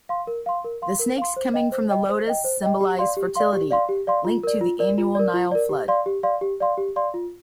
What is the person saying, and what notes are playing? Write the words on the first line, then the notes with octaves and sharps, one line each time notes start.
The snakes coming from the lotus symbolize fertility, linked to the annual Nile flood.
F5 C6
A#4
F5 C6
A#4
F5 C6
A#4
F5 C6
C5
D#5 G5
C5
D#5 G5
C5
D#5 G5
C5
D#5 G5
G4
D5 F5 C6
G4
D5 F5 C6
G4
D5 F5 C6
G4
D5 F5 C6
F4
A#4 D5
F4
A#4 D5
F4
A#4 D5
F4
A#4 D5
G4
D5 F5 C6
G4
D5 F5 C6
G4
D5 F5 C6
G4
D5 F5 C6
F4